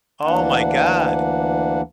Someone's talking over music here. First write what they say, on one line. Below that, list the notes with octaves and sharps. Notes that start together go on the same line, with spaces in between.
oh my god.
D2 E3 A#3 D4 F#5